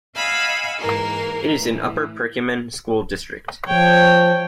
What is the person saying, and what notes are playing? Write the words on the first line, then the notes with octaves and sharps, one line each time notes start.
It is in Upper Perkiomen School District.
D#5 F5 F#5 G#5 B5 E6
G#2 E3 A#3 A#4
A2 E3
F3 C#5 G5